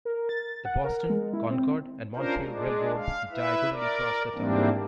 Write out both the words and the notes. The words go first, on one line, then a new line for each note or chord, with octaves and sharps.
The Boston, Concord and Montreal Railroad diagonally crossed the town.
A#4
A6
F#5
A#4
G#3
E4
C4
C#4 D4 F4 A#4 C5
G#3 D4
F5
E4 B4 E5
A#4 D5
G#2 E3 G3 A#3 C4 D4